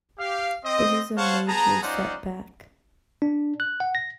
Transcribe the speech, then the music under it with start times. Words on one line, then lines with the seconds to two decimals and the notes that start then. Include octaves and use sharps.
This is a major setback.
0.19 G4 F5
0.65 C4 D#5
1.17 C5 C#5 F5 F#5 A5 C#6
1.47 B3 G#4 A5 A#5
1.82 C#4 D#4 F4 C5 D5 F#5
3.22 D4
3.60 F#6
3.80 F#5
3.95 A#6